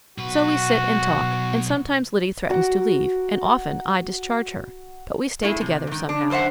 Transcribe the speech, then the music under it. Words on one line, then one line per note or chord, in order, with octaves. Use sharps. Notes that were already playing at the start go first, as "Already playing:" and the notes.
So we sit and talk, and sometimes Liddy threatens to leave, and often I discharge her, but we stay together somehow.
B1 F#4 B4
F#4 A#5 D6
A2 A3 E4 G#4
C3
G#2 D#3
D4
F#2 D3 C5 E5 F#5